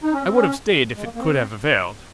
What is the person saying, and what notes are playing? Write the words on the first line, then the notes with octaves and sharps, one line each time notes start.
"I would have stayed if it could have availed."
D#4
C#4
C4
C#4
G#3
A#3
A#3
C4